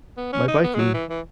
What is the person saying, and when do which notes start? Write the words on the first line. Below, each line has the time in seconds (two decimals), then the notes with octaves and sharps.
my biking.
0.17 B3
0.33 C#4
0.48 D#4
0.64 B3
0.75 G#3
0.78 F#3
0.94 E3
1.10 E3